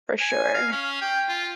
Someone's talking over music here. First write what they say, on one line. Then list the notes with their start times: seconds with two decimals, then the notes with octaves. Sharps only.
for sure.
0.21 G#5
0.54 F5
0.72 C#4
1.01 G5
1.29 F4